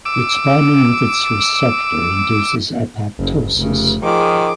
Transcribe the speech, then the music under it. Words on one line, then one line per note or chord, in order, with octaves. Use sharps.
Its binding with its receptor induces apoptosis.
D6 E6
F#1
F1 C#3
D#3 F3 G#4 D6